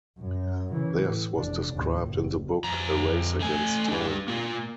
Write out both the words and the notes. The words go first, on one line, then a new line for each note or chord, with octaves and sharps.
This was described in the book "A Race Against Time".
F#2
C#3 E3
A2
F1 D4
D#2 A2
F#1
F2 A#5
A3 G#5
D4 G4
A#3 F4